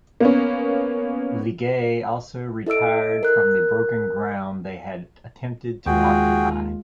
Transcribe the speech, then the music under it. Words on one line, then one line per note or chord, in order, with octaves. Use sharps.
Legeay also retired from the broken ground they had attempted to occupy.
A#3 B3 C#4
E4 A4 D#5 E6 D7
A#4 F#6
D#2 G#3 F4 F#4 G#4 G5